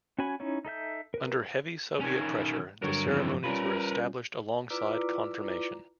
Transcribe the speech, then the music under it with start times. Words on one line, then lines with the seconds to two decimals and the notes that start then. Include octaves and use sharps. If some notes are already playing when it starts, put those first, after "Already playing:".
Under heavy Soviet pressure the ceremonies were established alongside confirmation.
0.18 C#4 F#4 C#5 G#5 B5
0.40 C#4 D#4 E4 C#5
0.65 D#4 A4 E5 G6
1.14 A#4 B4
2.00 D#3 C#4
2.82 G2 D3 F#3 A#4 C#5
3.07 F2 E3
3.44 G3 C#4 F4 A#4 B4
4.70 E4 F4 B4 D5 A#5 D6